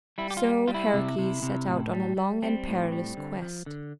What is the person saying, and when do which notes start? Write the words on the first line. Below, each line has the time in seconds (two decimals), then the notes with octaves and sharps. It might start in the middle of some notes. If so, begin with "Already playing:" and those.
So Heracles set out on a long and perilous quest.
0.18 G3 E4
0.31 G4
0.37 F4
0.43 G3
0.68 G3 F4
0.74 E4
0.93 C3
1.18 C3
1.43 C3
1.68 A2
1.93 G3
2.17 G3
2.43 G3 C4
2.68 A2
2.92 G3
3.17 D3
3.42 F3
3.66 D3